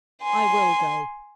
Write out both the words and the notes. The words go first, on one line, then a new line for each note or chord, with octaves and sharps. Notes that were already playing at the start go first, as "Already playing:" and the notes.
'I will go.
G#5 C6